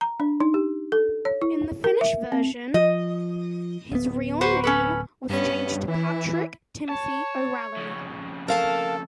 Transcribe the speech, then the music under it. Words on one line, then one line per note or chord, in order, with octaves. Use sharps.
In the Finnish version his real name was changed to Patrick Timothy O'Ralley.
A#5
D4
D#4
G4
A4
C#5
E4
A#4
E5
C4
F3 D#5
D1 B3
F#4 B4 C5
C#4 A4 B4
G2 B3 C#4
E3 E4
C#5 A5
F2 C#3
A4 A#4 F5 A5